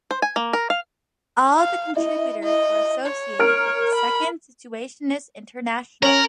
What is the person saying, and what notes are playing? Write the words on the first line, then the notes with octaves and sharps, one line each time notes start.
All of the contributors were associated with the "Second Situationist International".
C5
G#5
A#3
A#4
F5
F5
E4 D#5
D#5
C#5
A#4 F6 D7
B5
C#4 A#4 F#7